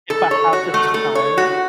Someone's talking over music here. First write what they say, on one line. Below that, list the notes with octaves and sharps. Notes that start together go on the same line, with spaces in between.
If I have the time,
A4
C#5
F#4
A3
A4
C#5
F#4